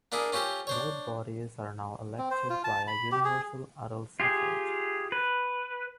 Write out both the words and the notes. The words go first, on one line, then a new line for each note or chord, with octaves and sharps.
Both bodies are now elected via universal adult suffrage.
A#3 D4 E4 G#4
C#4 F4 G4 A4 C5
D4 C5 C#5
C4
C5
F4
A5
B5
G4
G#4
F4 G4 G#4
B4